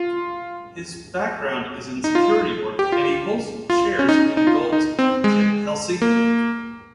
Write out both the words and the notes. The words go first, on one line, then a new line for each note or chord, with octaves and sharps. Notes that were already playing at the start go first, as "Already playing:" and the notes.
His background is in security work, and he holds shares in Gold's Gym-Helsinki.
Already playing: F4
D#4
F4
G4
F4
F4
C#4
D#4
D#4
F4
D#4
C4
G#3
A#3